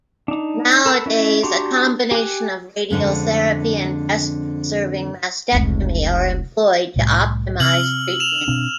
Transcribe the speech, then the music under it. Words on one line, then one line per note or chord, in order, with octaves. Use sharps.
Nowadays, a combination of radiotherapy and breast conserving mastectomy are employed to optimize treatment.
D4 D#4
A4 A#4 B5 E6 F#6
C#4 E4 D#5 E5
D4 F#4 G4 A#5 C6
G4 G#5 F#6
F2 D3 G#3 C#4
F1 C#2
C2 A2 G3
C3 E6 F6 F#7
E7 F7
B2 C4 D4